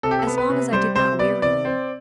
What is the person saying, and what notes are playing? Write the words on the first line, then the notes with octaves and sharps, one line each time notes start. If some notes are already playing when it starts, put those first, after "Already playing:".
"As long as I did not weary you."
C3 A4
G4
A4
B3
B4
C3
G3 C5
C3 C5
B3 D5
C3 D5
C4